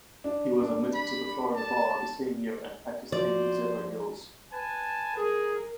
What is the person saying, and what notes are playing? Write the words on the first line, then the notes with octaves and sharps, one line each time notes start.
He was admitted to the Florida bar the same year and practiced in Zephyrhills.
D4
D4
B5
A5
F3 F#4 C5 D5
B4 G#5 A5
G#4 A#4